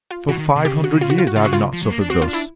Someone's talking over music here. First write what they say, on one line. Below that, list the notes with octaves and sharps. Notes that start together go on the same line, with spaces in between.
For five hundred years I have not suffered thus.
F4
E3 F#4
D#3
C3
C#3 G4
F#4
F4
F#4
F4
F#4
C#3 F4
F#4
F4
F3
F#3
A#3
D4
C4 F#4
F4
D4
E4